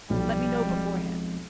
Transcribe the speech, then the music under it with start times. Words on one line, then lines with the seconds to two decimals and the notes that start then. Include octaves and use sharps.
Let me know beforehand....
0.10 B1 F3 G3
0.61 F3 G#3 C4